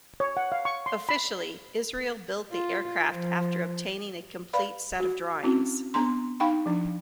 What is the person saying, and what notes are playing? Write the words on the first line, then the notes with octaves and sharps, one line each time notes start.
Officially, Israel built the aircraft after obtaining a complete set of drawings.
C#5
F#5
F5
C#6
C6
B5
F4
F3
B4 D5 F5 B5
F#4
C4 C#4 E4 F#4
B3 D4 A#5 C6
D#4 F5 G5 B5
F3 D4